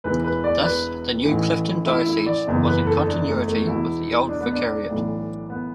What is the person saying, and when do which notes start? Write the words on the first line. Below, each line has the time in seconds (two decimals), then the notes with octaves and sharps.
Thus the new Clifton diocese was in continuity with the old vicariate.
0.04 E1 E2 E3 B4
0.24 B4
0.44 D5
0.64 B4
1.25 A1 A2 E3
1.86 E4
2.06 E4
2.26 D5
2.47 F#1 E2 E3
2.67 B4
2.87 A4
3.07 D4
3.27 A3
3.48 A3
3.67 E1 E2 B2 E4
4.29 D4
4.41 B3
4.52 D4
4.89 B1 A2 E3
5.50 B3